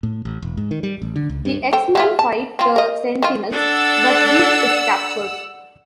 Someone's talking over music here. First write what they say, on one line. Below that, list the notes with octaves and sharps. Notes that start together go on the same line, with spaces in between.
The X-Men fight the Sentinels, but Beast is captured.
A2
A1
E1
G#2
D#3
G3
A1
D3
C#2
G2
A4 C5 G5
F#3 E4 F4
A5
C4 F4
A#4 D#5
D#3 F4
D4 A4 D5 F#5 E6